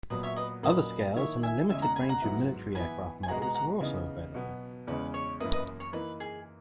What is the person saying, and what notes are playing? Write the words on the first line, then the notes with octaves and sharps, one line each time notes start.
Other scales and a limited range of military aircraft models are also available.
A#2 F#3 B3 B4 D#5
C#5 E5
B4 D#5
A#2 F#3 A#3 C#4 B4 D#5
D#3 A#3 E4 C#5 E5
E5 G#5
E2 C#3 G#3 C#4 E5 G#5
F#5 A#5
G#5 B5
F#5 A#5
G#2 F#3 B3 E4
E3 B3 E4 G#5 B5
G#5
B2 G#3 B3 F#4 F#5 A#5
F#5 A#5
F#5 A#5
C#3 E3 B3 D#4
B2 F#3 B3
E2 C#3 G#3 C#4 B4
C#5
F#2 E3 A#3 E4 B4 D#5
B4 D#5
C#5
E3 A#3 D#4 B4
G#4